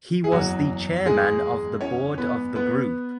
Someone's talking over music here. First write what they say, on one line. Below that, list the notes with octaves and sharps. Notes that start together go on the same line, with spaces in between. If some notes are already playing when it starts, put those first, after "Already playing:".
He was the Chairman of the Board of the Group.
G#4
F#1 E2 E3 F#3 F#4
G#3 G#4
C#4 C#5
B3 B4
B3 B4